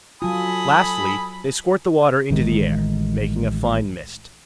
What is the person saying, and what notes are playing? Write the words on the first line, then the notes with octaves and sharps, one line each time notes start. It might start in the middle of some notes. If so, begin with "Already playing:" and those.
Lastly, they squirt the water into the air, making a fine mist.
F#3 F4 A4 G#5 B5 D#6
A1 D#3 G#3